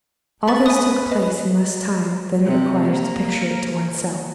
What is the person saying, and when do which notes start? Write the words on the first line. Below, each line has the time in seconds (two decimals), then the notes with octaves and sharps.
All this took place in less time than it requires to picture it to one's self.
0.48 B4 B5 C#6 A6
0.66 G#5 D#6
1.12 D#5
2.45 C3
2.84 A#3